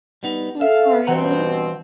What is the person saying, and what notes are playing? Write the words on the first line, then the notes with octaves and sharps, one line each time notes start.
I'm sorry.
G3 B3 D#4
A4 E5 F5
G2 B2 E3 C4 F#5 A#5